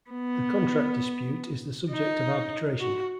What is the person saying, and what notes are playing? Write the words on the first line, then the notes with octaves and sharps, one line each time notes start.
The contract dispute is the subject of arbitration.
B3
D#4
F#4